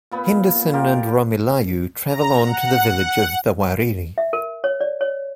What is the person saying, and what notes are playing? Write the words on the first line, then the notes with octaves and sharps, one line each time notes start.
Henderson and Romilayu travel on to the village of the Wariri.
A#2 B3 B5
F4 G4 A#4
A#5
F#5
F#5
E5
A#4
C#5
D5
C#5